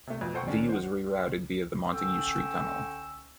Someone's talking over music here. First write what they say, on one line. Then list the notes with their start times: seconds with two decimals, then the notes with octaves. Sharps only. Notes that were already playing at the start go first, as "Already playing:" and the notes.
The was rerouted via the Montague Street Tunnel.
0.07 C3 A3
0.21 F2 B2
0.34 A4 C5 F#5 G5 C#6
0.46 D#3 C#4 D4 G#4
0.69 C5 F#5
1.94 D3 C#4 G5 E6